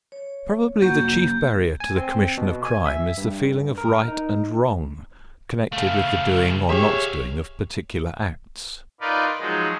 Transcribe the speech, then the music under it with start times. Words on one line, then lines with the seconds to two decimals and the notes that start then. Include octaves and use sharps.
Probably the chief barrier to the commission of crime is the feeling of right and wrong connected with the doing or not doing of particular acts.
0.12 C#5
0.82 A#3 F#4 G6
1.01 F#2 C#3
1.80 G#5
1.97 C4
2.37 B2
2.65 G#5
2.86 E5
3.17 G2
3.78 A#4
4.08 D#4
5.73 C#3 A3 F5
6.69 G4 G#4 C#5 E5 F5
9.01 D#4 F4 A#4 B4 D5
9.40 F3 F#3 G#3 D#4